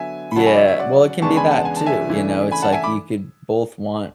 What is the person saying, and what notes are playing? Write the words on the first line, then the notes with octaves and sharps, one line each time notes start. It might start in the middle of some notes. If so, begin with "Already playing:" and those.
Yeah. Well, it can be that too, you know? It's like you could both want
Already playing: D3 F#3 B3 E5 G#5
B5
C#3 F#3 C#4 F#5 A5
G#5 B5
D5
E5
E5
D5 F#5
E2 C#3 G#3 B3 D4 A5 C#6
G#5 B5
F#5 A5
G#5
A5
E5 G#5
C#3 E3 A3 D4
G#5 B5
F#5 A5
E5 G#5
B5 D6